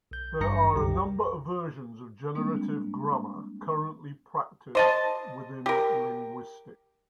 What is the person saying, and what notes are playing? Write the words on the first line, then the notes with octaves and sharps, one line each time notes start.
There are a number of versions of generative grammar currently practiced within linguistics.
B1 G6
G#1 G2 A#5 A#6 C#7
C2 F#2 G4 A#5
G3 G#3 A#3 C4 D4
C5 D#5 A5
G4 A#4